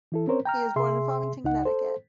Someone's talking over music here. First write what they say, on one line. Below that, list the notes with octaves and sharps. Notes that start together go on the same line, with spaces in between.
He was born in Farmington, Connecticut.
E3 E4 A4
C4 C#4 A#4 C5 C#5
G5 A#5 F6
C3 G#4 E5 C6
C#2 D#4 F#5
A4 C5